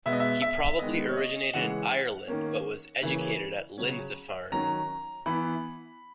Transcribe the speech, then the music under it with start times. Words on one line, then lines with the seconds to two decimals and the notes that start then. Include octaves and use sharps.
He probably originated in Ireland but was educated at Lindisfarne.
0.06 B2 G#3 B3 E5
0.13 D#5
0.20 E5
0.42 E5
0.79 D#3 G#3 B3 D#5
1.09 C#5
1.17 D#5
1.54 C#3 E3 G#3 C#4 F#5
2.28 D#3 A#3 C#4
3.02 C#3 E3 A#3 C#4
3.78 C#3 F#3 C#4
4.52 D#3 F#3 C#4 A#5
5.26 E3 B3 B5